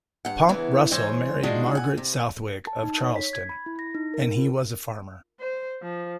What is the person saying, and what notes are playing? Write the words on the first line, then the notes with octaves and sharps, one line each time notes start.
Pomp Russell married Margaret Southwick of Charlestown, and he was a farmer.
G2 F#5
E2 C#3 E3 B3
E3 G#3 C5 C#5
D#3 G#3 D4 D#4 F4 F#4
F#5 G#5
C3
A5
D#4
C#5
B6
G#6
B5
E4
A#6
D#4
A#4
F4
C5
F3